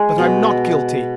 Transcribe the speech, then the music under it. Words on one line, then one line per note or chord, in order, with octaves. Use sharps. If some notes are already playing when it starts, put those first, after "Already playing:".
But I'm not guilty.
Already playing: G#3 G#4
B2